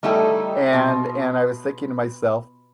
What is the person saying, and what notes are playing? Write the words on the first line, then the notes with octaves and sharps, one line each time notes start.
And and, I was thinking to myself,
G3 A3 D#4 E4 A4 G5
B2 F4